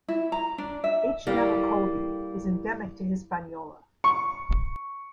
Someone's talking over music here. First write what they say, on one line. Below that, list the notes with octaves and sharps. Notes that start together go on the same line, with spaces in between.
"H. nabokovi" is endemic to Hispaniola.
E4
A#5
D4
E5
G3 A#3 E4 A4 F5
C#6